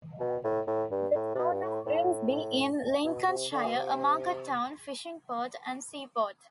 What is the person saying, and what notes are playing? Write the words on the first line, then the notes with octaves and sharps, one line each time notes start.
The town of Grimsby in Lincolnshire, a market town, fishing port and seaport.
B2
A2
A2
G2
A2
C3
B2
G2
A2
A2
B2
C3
D3
B2
C3